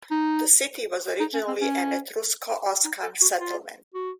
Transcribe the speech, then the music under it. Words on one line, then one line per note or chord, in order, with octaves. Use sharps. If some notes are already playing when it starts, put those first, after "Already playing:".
The city was originally an Etrusco-Oscan settlement.
D#4
D#4
C#4
C4
C#4
D#4
A4
F#4
F4
F#4